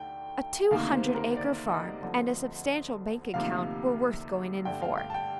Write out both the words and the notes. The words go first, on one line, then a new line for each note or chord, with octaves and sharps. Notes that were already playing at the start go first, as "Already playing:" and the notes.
A two-hundred-acre farm and a substantial bank account were worth going in for.
Already playing: D2 D3 A3 D#4 G5
D2 C3 D#3 A#3 D#4 F5
C5
A#4
D5
D#5
D2 D3 F3 C4
D2 C3 F3 A#3 D#4 F5
G2 D3 A3 G5
F5
G5
A5
G5